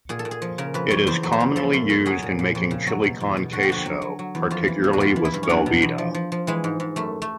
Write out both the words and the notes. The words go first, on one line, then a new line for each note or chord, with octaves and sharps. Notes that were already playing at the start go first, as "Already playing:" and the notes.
It is commonly used in making chili con queso, particularly with Velveeta.
A#2 G#4
A4
A#2
G#4
F3
C#3 A#4
F2 B4
F2 C#5
E2 C5
F#3
C5
C#3
F3 A4
F#2
F#2
F#3 G#4
A#2
A#2
F2
C#3
F#3
B2
E2
B2
D3 F#4
G4
F2 F#4
F#3
F#3
F#3
E2
F2 F4
E3
C#3
F#4
E3 F4
E3
E4
G2
C#4
F#3 D4
B2
E2
F3
F3
F3
E3 G#3
G#2
G#2
F#2 A3
A3